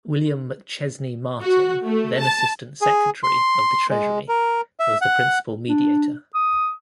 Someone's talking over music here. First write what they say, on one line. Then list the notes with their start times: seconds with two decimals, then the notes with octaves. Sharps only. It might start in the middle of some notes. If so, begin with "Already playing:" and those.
William McChesney Martin, then Assistant Secretary of the Treasury, was the principal mediator.
1.41 F#4
1.85 A3
2.20 A5
2.82 G#4
3.23 C6
3.89 G#3
4.28 A#4
4.80 E5
5.02 F#5
5.69 D4
6.35 D#6